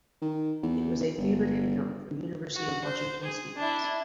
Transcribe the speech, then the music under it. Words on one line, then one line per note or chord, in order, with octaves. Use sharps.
It was a favored hangout for University of Washington students.
D#3
E2
G1
F#4
C5
G#4
D4 E4